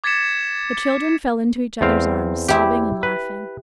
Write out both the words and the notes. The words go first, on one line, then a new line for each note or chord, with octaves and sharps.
The children fell into each other's arms, sobbing and laughing.
D6 G#6 A6 B6 C#7 E7
E2 C4 F5
E4 G4
B4